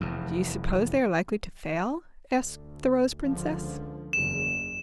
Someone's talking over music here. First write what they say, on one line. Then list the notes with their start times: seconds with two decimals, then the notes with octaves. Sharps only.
"Do you suppose they are likely to fail?" asked the Rose Princess.
0.01 F1 E2
2.37 D2
3.23 C#2 D3 F3
4.13 F#1 E2 C#3 E7